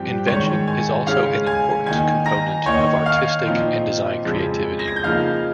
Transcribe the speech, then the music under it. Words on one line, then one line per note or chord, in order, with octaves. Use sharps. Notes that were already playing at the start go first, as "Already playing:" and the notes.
Invention is also an important component of artistic and design creativity.
Already playing: G2 F3 C4 G4 G5
G#2 D#3 G#3 C#5 C#6
G#5 G#6
C#3 G#3 C#4 F5 F6
G#5 G#6
D#3 A#3 D#4 G#5 G#6
A#5 A#6
D#3 A#3 D#4 C#5 C#6
F5 F6
A#2 F3 C4 D#4
F2 C#3 F3 G#3
A#6
G#6
G6
C#3 F3 A#3 D#4 F5 F6